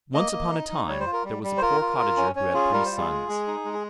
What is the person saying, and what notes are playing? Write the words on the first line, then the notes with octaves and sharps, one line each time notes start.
Once upon a time there was a poor cottager who had three sons.
A#3 D#5
A#3
D#4
D#4
G3 C#5
C5
F4
A#4
G3
G3
C5
F4 A#4
F4
F4
C#4
C#4 C#5
F4 G#4
G3 A#4
C5
F4
G#4
G#3
G#3
D#4
G#3
G#4